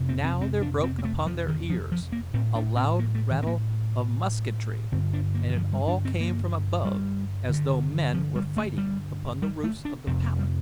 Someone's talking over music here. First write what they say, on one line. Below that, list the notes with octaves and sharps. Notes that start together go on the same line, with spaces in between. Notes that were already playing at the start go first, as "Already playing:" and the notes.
Now there broke upon their ears a loud rattle of musketry and it all came from above as though men were fighting upon the roofs of the palace.
Already playing: F2 C3
C4
C4
C4
D4
C4
A#3
A3
F3
D#3
F3
F3
A#3
A2 C4
D4
C4
A#3
A3
D#3
C4
A#3
G2 D3 C4
D4
A#3
D#3
F3
G3
D4
C4
A#3
G3
G2 D3
F3
G3
A3
G3
G3
A3
D4
F2 C3 C4
A#3
G3